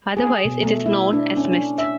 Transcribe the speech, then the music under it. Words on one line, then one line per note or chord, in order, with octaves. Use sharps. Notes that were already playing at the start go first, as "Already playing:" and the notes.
Otherwise it is known as mist.
G#4
B2
A3
E4
D4
C#4
D4
E5